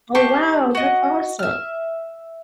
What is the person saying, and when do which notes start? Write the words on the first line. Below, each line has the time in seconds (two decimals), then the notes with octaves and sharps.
Oh wow, that's awesome.
0.15 G4 C5 A5 C#6
0.75 F#4 D#5
1.39 E5 F6